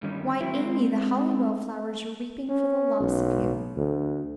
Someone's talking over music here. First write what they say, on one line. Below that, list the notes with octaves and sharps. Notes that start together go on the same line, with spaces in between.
'Why, Amy, the Hollywell flowers are weeping for the loss of you!
G2 D#3 G3 C#4
F#3 E4
G#3 C4
C#4
B1
D2